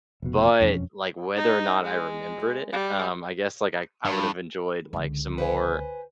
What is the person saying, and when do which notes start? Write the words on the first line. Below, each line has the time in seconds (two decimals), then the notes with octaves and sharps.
but, like, whether or not I remembered it, um, I guess, like, I I would have enjoyed, like, some more
0.22 F1 B2
0.60 E1 F2 E3 C#4
1.36 D#4
1.82 G#3
2.72 G3
4.05 G2
4.93 C#2 D3
5.38 B4 C5 G#5